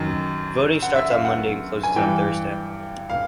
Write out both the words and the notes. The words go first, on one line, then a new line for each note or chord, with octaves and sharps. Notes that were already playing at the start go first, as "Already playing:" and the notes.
Voting starts on Monday and closes on Thursday.
Already playing: F#2 D#3
F#5
E5
F5
F#5
G#5
G2 E3 G5
F5